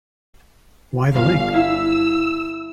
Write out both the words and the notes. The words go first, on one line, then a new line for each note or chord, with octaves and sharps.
Why the link?
G1 F5
E4 E6